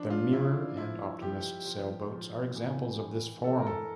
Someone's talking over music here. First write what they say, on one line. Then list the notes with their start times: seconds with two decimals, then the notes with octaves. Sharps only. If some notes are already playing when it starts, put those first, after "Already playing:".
The Mirror and Optimist sailboats are examples of this form.
Already playing: F3 D4
0.10 F4
0.33 F3 E4
0.55 D4
0.77 F3 E4
1.21 F3 G4
1.66 F3
2.11 F3
2.55 E3
2.99 E3
3.44 E3 A4
3.59 A#4
3.67 A4